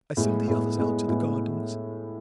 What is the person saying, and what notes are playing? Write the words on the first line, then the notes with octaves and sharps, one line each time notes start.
I sent the others out to the gardens.
A2 G#3 B3
A2 G#3 B3
A2 G#3 B3
A2 G#3 B3